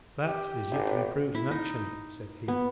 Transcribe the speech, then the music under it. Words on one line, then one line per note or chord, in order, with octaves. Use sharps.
"That is yet to be proved in action," said he.
G4
G#1
E4
D#4
B3